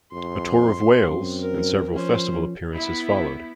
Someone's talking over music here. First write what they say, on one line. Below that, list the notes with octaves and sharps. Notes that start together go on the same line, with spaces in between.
A tour of Wales and several festival appearances followed.
F2 C6
F#2 C4
A#4
F3 C#4 C5
B3 E4